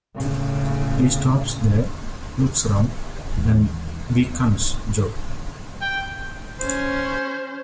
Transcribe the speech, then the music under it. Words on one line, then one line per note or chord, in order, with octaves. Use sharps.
He stops there, looks round, and beckons Jo.
A2 C#3
D#2 E3 G#3
G5
C#4 C5